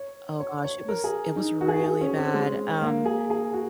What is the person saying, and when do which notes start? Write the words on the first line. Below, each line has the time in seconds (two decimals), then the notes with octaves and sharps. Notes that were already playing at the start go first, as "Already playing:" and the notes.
oh gosh, it was it was really bad- um,
Already playing: C#5
0.40 C#5
0.64 C#5
0.88 A#4
1.04 G#4
1.36 D#4
1.61 F#4
1.68 G#4
1.76 F#4
1.84 G#4
2.01 C#4
2.16 C4
2.34 G#3
2.82 A#3
3.05 G#4
3.30 G#4
3.53 F#4